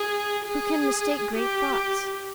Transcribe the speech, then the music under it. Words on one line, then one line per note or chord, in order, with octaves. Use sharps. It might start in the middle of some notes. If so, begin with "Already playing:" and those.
"Who can mistake great thoughts?"
Already playing: G#4
G#4
G4